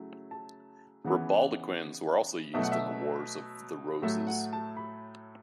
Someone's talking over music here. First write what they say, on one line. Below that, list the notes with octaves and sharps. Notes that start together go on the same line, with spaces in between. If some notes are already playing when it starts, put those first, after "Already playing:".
Ribauldequins were also used in the Wars of the Roses.
Already playing: C#3 F#3 A3 E4
A5
C#3 E3 B3 F#5
B2 F#3 A3 E5
F#5
E5
A2 F#3 A3 E5
F#5
A5
B5